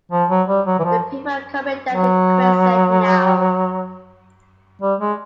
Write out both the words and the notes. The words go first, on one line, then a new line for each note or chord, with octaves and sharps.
The people are coming down the crescent now.
F3
F#3
G3
F#3
E3
F3
F#3
G3
G#3